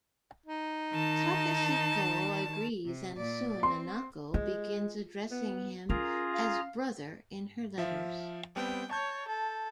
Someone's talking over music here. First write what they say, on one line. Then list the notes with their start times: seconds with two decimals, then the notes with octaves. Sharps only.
Takehiko agrees, and soon Nanako begins addressing him as "brother" in her letters.
0.46 D#4
0.93 D#3 A5
2.85 C3
3.17 A#2 D5
3.63 C4 C6
4.34 G#3 F4
5.31 B3
5.90 C#4 F4 G#4 A#4 A#5
6.33 F5
7.78 F3 E5 F5
8.56 G3 B3 C4 G5
8.91 C#5 A5 G6
9.28 A4